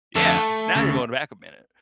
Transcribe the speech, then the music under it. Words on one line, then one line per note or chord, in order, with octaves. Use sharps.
Yeah, now you're going back a minute.
F2 D3 A3 A4
D2 C#3